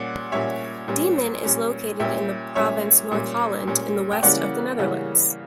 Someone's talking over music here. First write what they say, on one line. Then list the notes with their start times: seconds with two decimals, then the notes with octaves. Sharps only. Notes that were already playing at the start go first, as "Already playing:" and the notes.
Diemen is located in the province North Holland, in the west of the Netherlands.
Already playing: A#2 G3 C#4 D5 F#5
0.32 A#2 G3 C#4 C#5 E5
0.88 A#2 G3 C#4
1.44 A#2 G3 C#4
2.00 A#2 G3 C#4 E5 G5
2.55 A#2 G3 C#4 C#5 E5
3.12 A#2 G3 C#4
3.67 A#2 G3 C#4
4.12 G5
4.23 C#3 E3 G3 A#3 C#4 D5 F#5
4.79 C#3 E3 G3 A#3 C#4